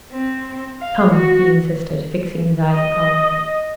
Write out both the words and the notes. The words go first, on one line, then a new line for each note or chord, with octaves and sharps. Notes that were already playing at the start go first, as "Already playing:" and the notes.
"Come," he insisted, fixing his eyes upon her.
C4
F5
F#4
D#5